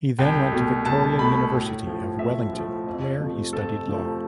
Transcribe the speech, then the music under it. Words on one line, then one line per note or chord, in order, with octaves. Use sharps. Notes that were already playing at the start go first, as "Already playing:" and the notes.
He then went to Victoria University of Wellington, where he studied law.
C2 G5
B2 A3
C2 A5
B2 A3 B5
A2
F3 A3
A2 E5
F3
A3
F2
C3 F3 A3
F2 A4
C3 F3 A3